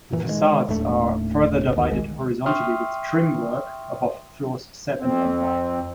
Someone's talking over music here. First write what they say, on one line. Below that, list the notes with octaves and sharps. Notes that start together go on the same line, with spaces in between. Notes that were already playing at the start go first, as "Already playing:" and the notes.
The facades are further divided horizontally with trim work above floors seven and nine.
A#2 E3
D#3 F#3 G#3
D#1 A2 A3 D4
G#1 C3
D#2 D#3
D1 B1 D#3 G#3
E5 G5 C6 C#6 D#6 F6
F2 C4